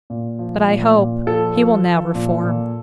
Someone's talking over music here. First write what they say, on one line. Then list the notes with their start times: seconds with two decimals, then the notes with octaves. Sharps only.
But I hope he will now reform.'
0.10 A#2
0.39 F3
0.68 A#2
0.98 A#2
1.26 F3 A4
1.56 F3
1.85 F3
2.15 A#2
2.43 A#2